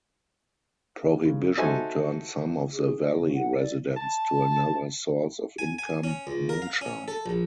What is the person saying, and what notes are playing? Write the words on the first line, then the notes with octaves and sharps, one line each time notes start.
Prohibition turned some of the valley residents to another source of income - moonshine.
C#3
D#4 F#4 A4 C5 E5 G#5
G#4
D#5
C#3
F#5
D5
A5
G#5
G#5
C#4
C#2
A#4
F5
C#4
A4
A#1